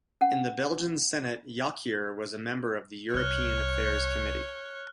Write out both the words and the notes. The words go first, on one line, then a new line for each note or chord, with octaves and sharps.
In the Belgian Senate, Jonckheer was a member of the European Affairs Committee.
C#4 F#5
C2 C#5 F6 F#6